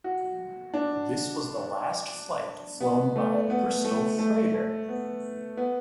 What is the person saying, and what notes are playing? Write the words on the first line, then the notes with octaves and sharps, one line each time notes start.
This was the last flight flown by a Bristol Freighter.
F#4
D4
B3
A3
B3
A3
A3
A3
B3
B3